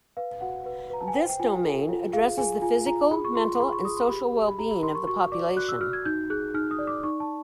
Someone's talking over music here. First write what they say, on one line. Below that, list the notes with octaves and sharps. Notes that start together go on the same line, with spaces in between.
This domain addresses the physical, mental, and social wellbeing of the population.
B4 F5
F#4 F#5
B4
B4 A#5
A5
G#5
C5 G5
G5
F4 G#5
A4
F4
G#4 F5
G#4 G#5
F4 G#5
F4 A#5
G#4 B5
C#6
F4 C6
C6
G#4 B5
C#6
G#4 D#6
C6
G4 B5
G4
B5
G4 A#5
B5
A#4 C6
C#6
F#4 C#6
D5 D6
F#4 F#6
E6
F#4 F6
G#6
D#4 G6
G#4 F#6
D#4 F6
D#6
D5
D6
D#4 C#6
A5